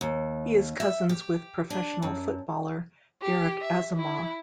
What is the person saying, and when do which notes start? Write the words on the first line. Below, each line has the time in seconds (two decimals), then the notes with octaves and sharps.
He is cousins with professional footballer Derek Asamoah.
0.01 D#2
0.80 E5
1.09 G4
1.70 D4
2.02 F#2
3.21 G4
3.61 E5
3.96 E4